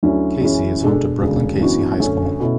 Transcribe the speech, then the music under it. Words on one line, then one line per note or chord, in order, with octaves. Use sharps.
Cayce is home to Brookland-Cayce High School.
D2 D3 F#3 C#4 E4
F#2 E3 G#3 C#4 E4
B2 G#3 D4 A4
E1 D2 C#3
F#2 E3 B3 D4 F#4
F#2 D3 A3 C#4
B2 A3 C#4 E4